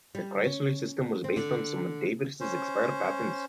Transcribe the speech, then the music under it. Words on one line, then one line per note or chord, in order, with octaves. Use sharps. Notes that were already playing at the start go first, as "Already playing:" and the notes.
The Chrysler system was based on some of Davis' expired patents.
G3
C#4
C4
D3
C#4 C5